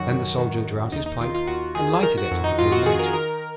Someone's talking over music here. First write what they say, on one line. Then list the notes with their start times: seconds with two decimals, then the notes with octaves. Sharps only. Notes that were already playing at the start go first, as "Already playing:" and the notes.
Then the Soldier drew out his pipe, and lighted it at the Blue Light.
Already playing: F#2 D#3 F#4
0.10 D#3
0.38 D#3
0.65 D#3
0.92 D#2 D#4
1.06 D#4
1.21 D#3 F4
1.35 F4
1.47 D#2 F#4
1.75 D#3 G#4
2.03 D#3 A#4
2.18 F#4
2.31 F2
2.44 D#4
2.59 F2 F4
2.72 F#4
2.86 D#3 G#4
2.99 A#4
3.13 D#3 A#4